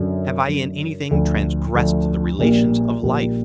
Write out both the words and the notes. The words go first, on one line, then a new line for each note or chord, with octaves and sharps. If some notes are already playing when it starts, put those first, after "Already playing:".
Have I in anything transgressed the relations of life?
Already playing: F#2 D3 F#3
F#2 D3 F#3
D2 D3 F3 A3
D2 D3 F3 A3
A#1 A#2 G3 A#3
A#1 A#2 G3 A#3